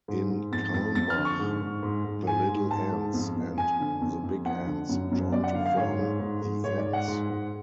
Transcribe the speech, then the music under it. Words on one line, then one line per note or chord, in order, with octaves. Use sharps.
In Calmbach, the Little Enz and the Big Enz join to form the Enz.
G#2
G#2
F2 A6
F2 A6
F2 A6
F6
D3
C#6
G#2
G#2
G#2
G#2
G#2 G#5
G#2
G#2 A5
G#2
F2
F2
F2 G#5
D3
F2
F2
F2 F#5
D3
F#2
F#2
F#2 D5
F#5
D3 F5
F5
G#2 C#5
G#2
G#2
G#2
G#2 C#5
D5
G#2
F#5
G#2
G#2